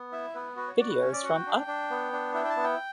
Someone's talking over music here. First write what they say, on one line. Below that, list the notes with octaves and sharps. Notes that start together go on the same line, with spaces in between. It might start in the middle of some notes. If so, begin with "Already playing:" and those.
Videos from Up!
Already playing: B3
E4 E5
B3 B4
F#4 B4
C#5
F#4 D5
B4
C#4 C#5
D5
F#4 F#5
G5
D4
D4
B3
D4
E4 G5
G5
A5
B3
G5